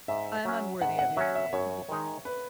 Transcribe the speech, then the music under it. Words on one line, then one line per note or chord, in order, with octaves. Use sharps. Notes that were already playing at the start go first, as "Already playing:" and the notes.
"I am unworthy of you," he began.
G#2 E5
F#3 C#4
G#2 F#5
F#5
F#3 C#4 E5
E5
F#2 C#5
D#3 G#3 D#4
B4